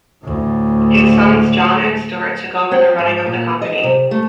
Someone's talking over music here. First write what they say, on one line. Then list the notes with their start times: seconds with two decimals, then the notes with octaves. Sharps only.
His sons John and Stuart took over the running of the company.
0.22 D2 A2
2.71 C4
2.98 G#2
3.26 A#2
3.62 D#5
3.83 C3
4.11 A3